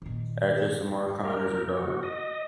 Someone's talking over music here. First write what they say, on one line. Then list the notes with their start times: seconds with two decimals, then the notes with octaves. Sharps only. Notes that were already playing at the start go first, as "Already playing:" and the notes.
Actress Amar Khan is her daughter.
0.02 A#2 D#3
1.24 A#4
1.77 F#4
2.03 D#5